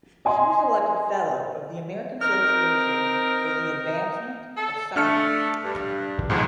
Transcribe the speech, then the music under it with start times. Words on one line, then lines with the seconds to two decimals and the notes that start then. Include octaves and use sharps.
She was elected Fellow of the American Association for the Advancement of Science.
0.25 D#5 G#5 C6
2.21 C4 D#4 A#4 F6
4.56 A4
4.96 A3 D4 F6 C#7
5.63 G2
6.30 B1 G#2 D#3 F3 G#3